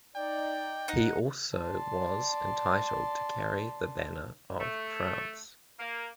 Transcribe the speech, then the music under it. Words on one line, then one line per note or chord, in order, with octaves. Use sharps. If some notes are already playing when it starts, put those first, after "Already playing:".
He also was entitled to carry the banner of France.
D#4 D5 G5
D#4 F#5
D5 A5 C6
A3
A#3